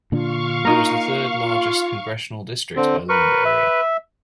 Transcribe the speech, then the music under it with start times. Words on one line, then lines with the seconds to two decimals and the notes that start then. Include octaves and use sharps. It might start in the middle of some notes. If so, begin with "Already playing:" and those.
It was the third-largest congressional district by land area.
0.12 A#2 D3 D4 F4 F5 C#6
0.65 A#3 D#4 A#4
1.41 F4
2.76 D3 C4
3.09 A#4 B4 C#6
3.45 E5